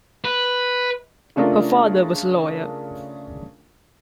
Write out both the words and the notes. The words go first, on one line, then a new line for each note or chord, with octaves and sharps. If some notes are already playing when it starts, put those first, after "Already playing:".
Her father was a lawyer.
B4
C#3 A3 D4 F4 A#4